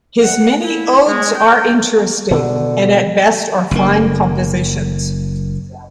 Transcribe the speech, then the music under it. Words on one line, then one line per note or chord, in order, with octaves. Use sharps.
His many odes are interesting, and at best are fine compositions.
F#5
E4
G#3
G5
B2 D3
F#1 A#3